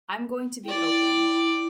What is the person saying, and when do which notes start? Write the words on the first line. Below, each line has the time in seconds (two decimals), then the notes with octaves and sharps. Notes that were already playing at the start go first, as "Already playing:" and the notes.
I'm going to be open.
0.65 E4 D5 G5